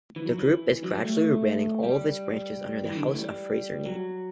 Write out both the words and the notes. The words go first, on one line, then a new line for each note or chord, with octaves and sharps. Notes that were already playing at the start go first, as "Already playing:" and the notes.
The group is gradually rebranding all its branches under the House of Fraser name.
E3
F#3
E3
F#3
G3
A3
G3
E3
D3
E3
A3
G3
F#3